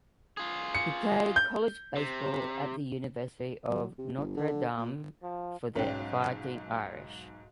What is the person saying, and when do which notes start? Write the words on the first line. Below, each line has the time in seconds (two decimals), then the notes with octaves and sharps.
He played college baseball at the University of Notre Dame for the Fighting Irish.
0.37 F4 G#4
0.75 C#7
1.36 G6
1.96 C3
3.69 F#3
3.98 C3
4.17 G1
4.37 D3
4.77 A#2
5.23 F3
5.75 B1 G#2 C#4 C#5 G5